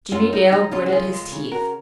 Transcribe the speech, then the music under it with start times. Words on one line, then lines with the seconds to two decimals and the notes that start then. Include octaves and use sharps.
Jimmie Dale gritted his teeth.
0.12 F#2 C#4 F4
0.32 C#2 D#4
0.52 C#2 D#4
0.71 C#3 C#4 F4
0.86 F#4
0.92 C#2 F4 G#4
1.12 G#3
1.32 C#3
1.52 C#3 F#4 A#4